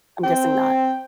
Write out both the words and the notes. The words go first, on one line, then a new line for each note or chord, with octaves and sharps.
I'm guessing not.
C4 G5